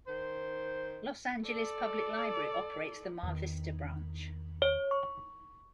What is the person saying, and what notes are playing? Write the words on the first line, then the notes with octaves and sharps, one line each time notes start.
Los Angeles Public Library operates the Mar Vista Branch.
D#3 C5
A4 D5
E2 D#3
C#5
C#6